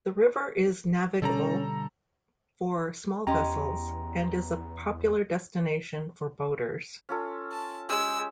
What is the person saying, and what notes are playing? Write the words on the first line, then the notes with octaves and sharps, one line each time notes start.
The river is navigable for small vessels and is a popular destination for boaters.
B2 D3 G3 C#4 A4 A#5
E2 C#4 G4 D#5 G5 A#5 C6
C#4 F4 A4
A5
G#3 C#4 G4 G#4 E6